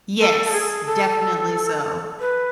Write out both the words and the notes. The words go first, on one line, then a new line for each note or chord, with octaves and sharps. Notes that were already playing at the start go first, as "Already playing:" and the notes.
Yes. Definitely so.
A4
A4
G#4
A4
B4